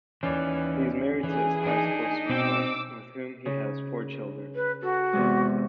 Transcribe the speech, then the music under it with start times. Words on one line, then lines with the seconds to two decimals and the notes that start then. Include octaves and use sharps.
He is married to his high school sweetheart, with whom he has four children.
0.23 D#2 E3 C#4 D5
1.23 E3 G#4
1.61 D4 D#4
2.30 B2 C4 G5 D6 E6
3.46 C#3
4.55 B4
4.83 F#4 A4
5.13 E2 C3 G#3